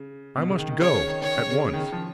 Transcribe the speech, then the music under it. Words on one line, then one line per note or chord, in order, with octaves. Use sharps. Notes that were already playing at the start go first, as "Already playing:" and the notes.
I must go--at once.
Already playing: C#3
B2
C#3
D#3
D#3
C#3 C#5
C#3
D#3
D#3 C#5
C#3
C#3
C#3
D#3
C#3
F3